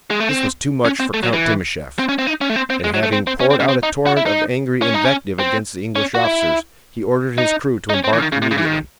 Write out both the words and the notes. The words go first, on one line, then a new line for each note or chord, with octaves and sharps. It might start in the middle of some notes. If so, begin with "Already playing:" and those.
This was too much for Count Timascheff, and having poured out a torrent of angry invective against the English officers, he ordered his crew to embark immediately.
G#3
A3
C4
C#4
C4
A3
F#3
E3
C4
C#4
C4
D#4
C#4
A3
C4
C4
G#3
F#3
A3
C4
C4
C#4
C4
C#3
C4
D#4
F#4
E4
D#4
C#4
D#4
C#4
C4
C#4
F#4
E4
D#4
D#4
C#4
C4
E3
C#3
D#3
C#3
C3
C#3
E3
D#3